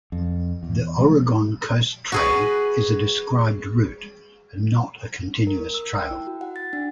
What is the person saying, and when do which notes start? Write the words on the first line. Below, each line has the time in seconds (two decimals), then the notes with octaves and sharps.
The Oregon Coast Trail is a described route and not a continuous trail.
0.12 F2
0.63 E2
0.99 C3 F3 G#3 A3
2.12 F#4 G#4 B4
5.47 A#4
5.74 E6
5.98 G5
6.11 E4
6.27 F#4
6.41 F#5
6.56 A6
6.73 D4